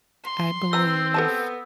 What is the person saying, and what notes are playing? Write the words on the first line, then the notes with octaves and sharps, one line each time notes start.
I believe,
C6
C4 B4 A#5 E6
B3 A4 B4 A5